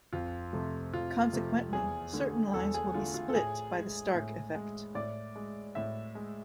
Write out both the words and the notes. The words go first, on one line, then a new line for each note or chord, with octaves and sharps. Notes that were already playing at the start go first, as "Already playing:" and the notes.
Consequently, certain lines will be split by the Stark effect.
F2 F4
C3 F3 A3
F2 F4
C3 F3 A3
E2 G#4
D3 A3
E2 A4
G#4
D3 A3 F4
F4
A4
A2 G#4
G#3
A2
G#3
A2 D5
G#3
A2 E5
G#3